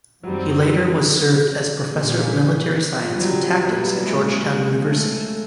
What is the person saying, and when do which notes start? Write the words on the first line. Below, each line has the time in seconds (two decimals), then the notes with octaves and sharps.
He later was served as professor of military science and tactics at Georgetown University.
0.23 F#2 D#3 F#3 G3 C4
1.93 A#2 G3 A#3 C#4
3.00 F3
3.16 G3
3.21 F#3
3.43 F#3
3.64 A#2 F#3 G3 B3 E4
4.06 G#3
4.49 A#3
4.91 A3